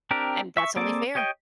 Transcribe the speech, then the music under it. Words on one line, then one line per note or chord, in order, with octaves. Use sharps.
And, that's only fair.
C4 D4 G4 A#4
E5 C#6
A#3 C4 G#4 A4 D5
G4 C#5 D#5 G5